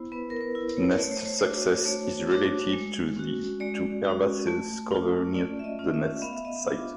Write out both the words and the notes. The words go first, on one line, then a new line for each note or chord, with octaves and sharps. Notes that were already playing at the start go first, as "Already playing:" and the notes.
Nest success is related to herbaceous cover near the nest site.
Already playing: B3 E4 C5
B3 B4
A#4
B4
E4
C5
C#5
C5
C#5
A3 C5
C#5
C5
C#5
C5
C#5
D4 F#4 C5
A3 C#5
D4 F#4
G#3
C#4 F#4
G#3 D5
C#4 F#4
A3
C#4 F4
A3 D5
E5
D#5
C#4 F4
E5
B3 F5
E5
D#5
E5
D4 F4